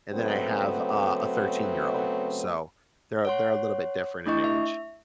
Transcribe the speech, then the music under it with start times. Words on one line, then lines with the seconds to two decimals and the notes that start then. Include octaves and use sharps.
and then I have a a thirteen-year-old, so they're a they're a little bit different in age.
0.14 C#3 F#3 A3 B3 C4
3.25 C#5 F#5 C6
4.26 A3 D4 E4 D#5 C#6
4.44 E5